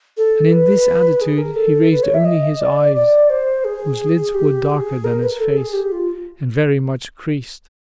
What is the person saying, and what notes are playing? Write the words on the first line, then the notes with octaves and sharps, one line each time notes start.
And in this attitude he raised only his eyes, whose lids were darker than his face and very much creased.
A4
B4
G#4
A#4
A4
B4
C#5
E5
D#5
D5
D5
C5
G#4
G4
G#4
A#4
B4
A#4
A4
G#4
G4
F4